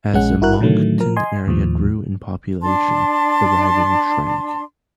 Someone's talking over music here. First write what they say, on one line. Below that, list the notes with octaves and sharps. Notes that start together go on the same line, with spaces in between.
As the Moncton area grew in population, the riding shrank.
A#1 G#3 C#4 F#5
G#1 E4 F#4 A#4 F#6
A2 D3 D#3 F#3 A3
F3 A#4
D#5 G#5 C6
D#2 A2 F3
D4 A5 C6